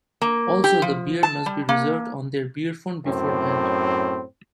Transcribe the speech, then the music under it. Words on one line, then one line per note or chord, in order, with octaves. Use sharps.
Also, the beer must be reserved on their "beerphone" beforehand.
A#3
G4
F3
A5
G3
A#3
F#2 A2 C4